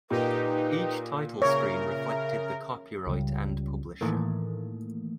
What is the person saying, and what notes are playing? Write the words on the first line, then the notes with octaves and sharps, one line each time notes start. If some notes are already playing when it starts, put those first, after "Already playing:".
Each title screen reflected the copyright and publisher.
A#2 D#4 G4 B4
C#3 A#4 C#5 E5
C#2 C#3 G3
A2 D#3 E3 A3 A#3